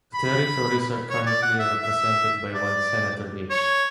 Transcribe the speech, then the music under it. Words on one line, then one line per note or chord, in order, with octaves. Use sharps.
The territories are currently represented by one senator each.
B5
C#5
D5
F#5
E5
E5
D5
C#5